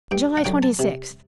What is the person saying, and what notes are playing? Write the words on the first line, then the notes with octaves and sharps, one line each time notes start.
July Twenty-sixth.
G2 G5
F#5
D3 F#3 G5
A5
C3